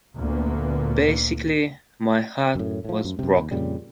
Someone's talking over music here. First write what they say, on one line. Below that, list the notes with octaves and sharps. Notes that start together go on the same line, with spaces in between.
Basically my heart was broken.
D2 A#2 D3 A#3 B3
F#2 A2
A2 F3
F#2
F#2 C3
D#2
F2 A#2 C#3 G3